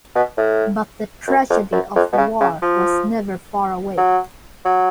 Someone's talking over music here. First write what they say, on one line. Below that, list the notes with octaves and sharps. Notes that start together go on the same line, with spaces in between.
But the tragedy of war was never far away.
B2
A2
F#2
F2
F#2
F2
B2
C#3
C#3
F3
F#3
F#3